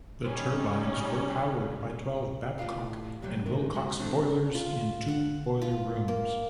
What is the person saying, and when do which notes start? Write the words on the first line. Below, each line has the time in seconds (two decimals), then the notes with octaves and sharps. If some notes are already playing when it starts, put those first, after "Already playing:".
The turbines were powered by twelve Babcock and Wilcox boilers in two boiler rooms.
0.23 G3 C#4 D#4
2.59 A2 F4 G4 F5
3.22 C3 F#3 G3
3.46 C3 D#3 A#4
3.75 G#3 F#4 F#5
3.99 D3 E3 G#3 A3 C4 D4
4.55 F4
5.08 F#5
5.62 F4
6.08 A#3